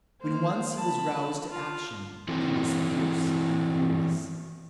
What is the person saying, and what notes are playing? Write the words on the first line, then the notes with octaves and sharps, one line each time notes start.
When once he was roused to action, he was fierce and furious.
A#3 C5
A5 B5
F4
E3 C4 E4 F#4 A4